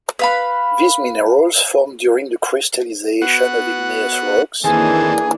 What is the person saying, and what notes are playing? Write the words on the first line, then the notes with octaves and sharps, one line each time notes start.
These minerals formed during the crystallization of igneous rocks.
B4 F5 B5
B3 F#4 F#5
D#3 E3 A#3 C4 D4 G#4 A4 G#5